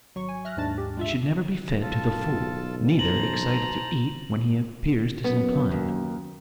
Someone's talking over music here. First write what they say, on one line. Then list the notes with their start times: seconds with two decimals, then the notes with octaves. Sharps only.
He should never be fed to the full; neither excited to eat when he appears disinclined.
0.15 G#1 F#3 C#6
0.29 G#5
0.45 E5 F6 F#6 A#6
0.57 D#2 G#2 G#3 D4 A5 A6
0.78 G4
0.97 G#3 F4 E5
1.82 B1 F4 A4 A5
2.99 C5 A5 A#5 F#7
5.24 F#2 B3
5.71 D#2